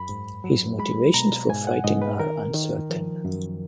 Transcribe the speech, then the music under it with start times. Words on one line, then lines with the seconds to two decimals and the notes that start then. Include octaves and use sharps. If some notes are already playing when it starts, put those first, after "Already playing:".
His motivations for fighting are uncertain.
Already playing: F#2 B5
0.09 G#2
0.44 F#3
0.79 G#3 B5
1.14 B2 A#5
1.49 G#2 G#5
1.67 F#5
1.84 G#2 D#5
2.02 B4
2.20 D#3 A#4
2.54 D#3
2.90 F3
3.25 F#2